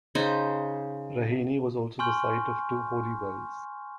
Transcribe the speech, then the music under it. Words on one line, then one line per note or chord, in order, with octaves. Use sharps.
Raheny was also the site of two holy wells.
C#3 D#4 C5
G#5 C6 C#6 F6 G6